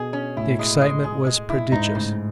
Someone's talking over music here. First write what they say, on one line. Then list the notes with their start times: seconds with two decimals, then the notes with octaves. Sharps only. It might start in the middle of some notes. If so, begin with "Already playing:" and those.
The excitement was prodigious.
Already playing: B2 G#4
0.13 C#4
0.36 A2 E4
0.59 G#3
0.81 G#3
1.04 G#4
1.27 G#3
1.50 E4
1.72 G#2 D#4
1.95 A2 C#3